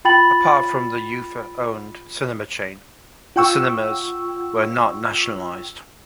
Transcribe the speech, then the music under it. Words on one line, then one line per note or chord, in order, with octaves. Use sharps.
Apart from the Ufa-owned cinema chain, the cinemas were not nationalized.
F4 G5 B5 A6 F#7
F4 F#5 G5 C#6 E6